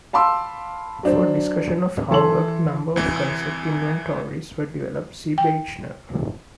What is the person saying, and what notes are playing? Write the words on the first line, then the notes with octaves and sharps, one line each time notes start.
For a discussion of how a number of concept inventories were developed see Beichner.
F5 A5 B5 C6 D6 E6
F#3 D4 C5
E3 A4 C6 F#7
C2 E3
G5